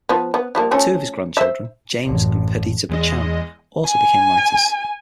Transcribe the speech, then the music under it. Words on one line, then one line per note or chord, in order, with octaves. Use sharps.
Two of his grandchildren, James and Perdita Buchan, also became writers.
F3 B3
B3
F3 G3 A#3
F3 A3 C#4
C5 E5
A1 F#2
E2 G#3 D#5
G#5